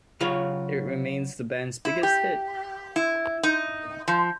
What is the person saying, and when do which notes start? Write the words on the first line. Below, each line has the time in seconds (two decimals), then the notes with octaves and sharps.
It remains the band's biggest hit.
0.20 C#3 F#3 F4 C#5
1.85 E4
2.03 G4
2.96 E4
3.43 D#4
4.08 F3